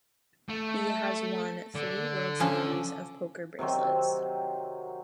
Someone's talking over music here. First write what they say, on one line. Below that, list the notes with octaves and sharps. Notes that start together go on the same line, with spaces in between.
He has won three World Series of Poker bracelets.
A3
D3
F3 C#4
C3 D#3 F#3 C4